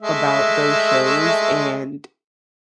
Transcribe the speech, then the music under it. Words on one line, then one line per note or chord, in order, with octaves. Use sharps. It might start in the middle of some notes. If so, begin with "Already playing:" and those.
about those shows, and
G#3 A3 E5